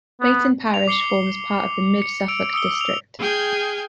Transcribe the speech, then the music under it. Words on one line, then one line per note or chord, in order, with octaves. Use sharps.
Beyton parish forms part of the Mid Suffolk district.
B3
F7
D6 C7 C#7 G7
C#7
E6 D7 F7
D#6 E6 C#7 G7
F7
G#4 G5 F6 G6 G#6